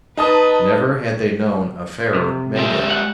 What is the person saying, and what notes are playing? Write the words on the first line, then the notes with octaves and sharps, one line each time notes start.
Never had they known a fairer May-day.
D#4 B4 A5 D#6
C3
G#3 G4 E5
F#5